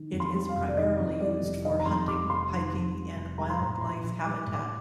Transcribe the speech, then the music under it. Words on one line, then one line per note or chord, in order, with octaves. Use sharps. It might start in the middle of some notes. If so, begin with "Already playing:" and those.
It is primarily used for hunting, hiking, and wildlife habitat.
Already playing: D#3
F2
C6
G3
F5
F1
D5
D#3 D#5
F2
G3 D5
F1
D#3 D#5
A#5
F2 C6
G3 D6
F1 C6
D#3
F2
G3
F1
G3 A#5
C6
A2 A#5
A#1 C6
A#1
G3 D6
A2
D6